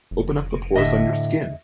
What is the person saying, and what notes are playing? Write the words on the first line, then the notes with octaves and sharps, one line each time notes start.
Open up the pores on your skin.
F1
A2 D3 D#5 E5